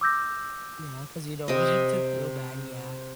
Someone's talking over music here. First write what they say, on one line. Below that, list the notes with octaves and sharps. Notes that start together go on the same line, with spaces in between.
Yeah, 'cause you don't want him to feel bad, yeah.
D6 E6 G6 A#6
C3 D#5